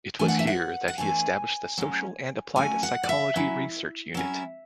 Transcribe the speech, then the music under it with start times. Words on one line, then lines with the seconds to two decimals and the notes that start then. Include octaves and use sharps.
It was here that he established the Social and Applied Psychology Research Unit.
0.19 E3 A3 D4 G#5
0.28 F#5
0.39 E5
0.47 F#5
0.88 F#5
0.98 E3 A3 D4 G#5
1.78 F#3 A3 C#4
2.56 F#3 A3 C#4 G#5
2.83 F#5
3.03 D5
3.09 E5
3.36 F#3 C#4 E4
4.14 F#3 C#4 E4